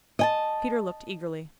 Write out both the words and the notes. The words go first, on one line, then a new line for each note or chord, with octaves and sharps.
Peter looked eagerly.
D#5 G#5 A5